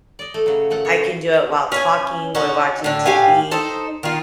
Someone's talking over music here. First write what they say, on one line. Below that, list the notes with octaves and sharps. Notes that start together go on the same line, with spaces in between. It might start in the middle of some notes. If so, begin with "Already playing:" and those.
I can do it while talking, while watching TV,
D5 D#5
A3
C#3 F#3
A#2 A3 F#5
C#5
C#4 G#5
C#4 D#4 F#4
A2 D3
A2 G4 F5 G#5
D#4 A4 C5
D#3 F4